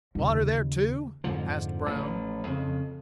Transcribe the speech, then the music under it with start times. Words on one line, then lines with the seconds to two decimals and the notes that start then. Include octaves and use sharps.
"Water there, too?" asked Brown.
0.15 D#2 C#3
1.24 F2 G#2 D3 F3
1.86 A1 F3
2.47 F2 C#3